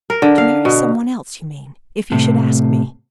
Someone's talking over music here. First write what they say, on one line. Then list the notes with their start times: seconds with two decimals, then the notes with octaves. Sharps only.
"To marry some one else, you mean--if he should ask me?"
0.10 A#4
0.22 D3
0.38 F5
0.65 B2
2.12 A2 C3